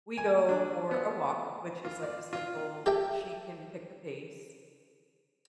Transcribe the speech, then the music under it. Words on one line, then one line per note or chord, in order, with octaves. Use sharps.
we go for a walk, which is, like, a simple she can pick the pace,
G#5
D4
B3
F4
D5
F4
G4 A4 E5 G5